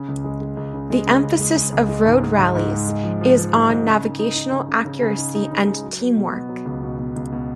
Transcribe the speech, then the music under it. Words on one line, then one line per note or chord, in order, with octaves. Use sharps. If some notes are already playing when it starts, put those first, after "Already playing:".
The emphasis of road rallies is on navigational accuracy and teamwork.
Already playing: C#3
C#2
G#3
G#3
C#2
C#3
G#3
C#3
C#3
G#3
G#3
C#2
G#3
G#2
G#3
G#2
G#2
G#3
G#3
F3
F3
F3
G#2
G#2
C#3
D#4
D#4
D#4
C#3
C#3
C#3
C#3
D#4
D#4
C#3
G#3
F#3
F#3
B2
B3
F#3
C#2
B2
B2
C#2
B2